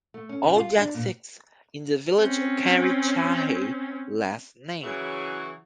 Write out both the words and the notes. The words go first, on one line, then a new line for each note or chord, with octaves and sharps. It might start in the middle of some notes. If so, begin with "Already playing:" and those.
All Jatt Sikhs in the village carry shahi last name.
A3
C#4
C#3
F4
D4
A#2
C4 C#4
C#3 E3 F#3 E4 F#4 G#4